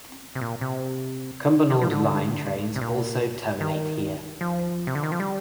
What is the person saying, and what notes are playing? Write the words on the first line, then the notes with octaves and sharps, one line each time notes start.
Cumbernauld Line trains also terminate here.
C3
A#2
C3
D#3
F3
D3
C3
A#2
D#3
F3
C3
D3
D#3
F3
G3